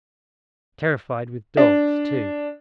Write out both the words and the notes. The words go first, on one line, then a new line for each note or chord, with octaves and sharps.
Terrified with dogs too!
D4